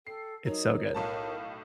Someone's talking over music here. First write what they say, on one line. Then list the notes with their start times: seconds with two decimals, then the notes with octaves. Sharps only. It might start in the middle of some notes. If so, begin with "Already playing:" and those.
It's so good.
0.07 A4 G5 C7
0.46 F#3 D#4 A#4 C#5
0.94 B1 A2 F5 A5